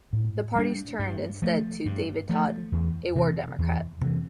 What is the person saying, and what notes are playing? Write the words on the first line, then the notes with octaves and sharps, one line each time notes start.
The parties turned instead to David Tod, a War Democrat.
A2
G3 D4
G2
F3 A3
G2
F3 A3
E2
C3 E3
E2
C3 E3